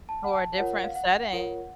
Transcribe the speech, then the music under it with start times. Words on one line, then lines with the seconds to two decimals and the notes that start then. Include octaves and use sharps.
Or a different setting,
0.09 A5
0.24 F#5
0.33 A5
0.58 F4 A#4 C#5 F#5
0.83 F5
0.95 F#5
1.33 F4 A#4 C#5